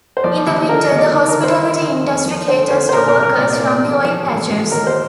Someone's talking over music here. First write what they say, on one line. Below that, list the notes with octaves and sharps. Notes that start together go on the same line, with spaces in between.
In the winter, the hospitality industry caters to workers from the oil patches.
C5
F3 D5
D#2
D3 A#4
D#5
D#2
D5
D#3
A#4
D#3
C5
D#3
D#3
F2
F3
D3 C5
D3 C5
C5
A#2 A#4
A#4
C2
A#4
A#2 D5
D5
A#2
D5
A1
F3
A1
A1
D#2 A#4
C5